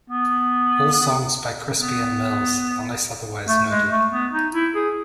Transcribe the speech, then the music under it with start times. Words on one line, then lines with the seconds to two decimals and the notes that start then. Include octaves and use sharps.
All songs by Crispian Mills, unless otherwise noted.
0.10 B3
1.79 B3
3.48 A3
3.69 G#3
3.90 A3
4.12 B3
4.32 D#4
4.53 E4
4.75 G#4